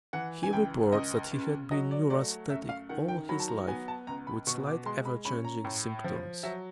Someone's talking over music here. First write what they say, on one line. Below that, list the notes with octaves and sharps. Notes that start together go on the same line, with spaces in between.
He reports that he had been neurasthenic all his life with slight ever-changing symptoms.
E3 F#5
G#5
C#2 G5
C#2 D#5
C#3
F#3 D#5
D5
A3 D5
F#2 E5
F5
D#3 F#5
G5
F#3 B5
A5
A#5
B3 G#5
A5
C#2 A#5
B5
B2 C#6
D6
G#3 C6
B5
C#4 B5
A#5
A2
F3
F#3 E5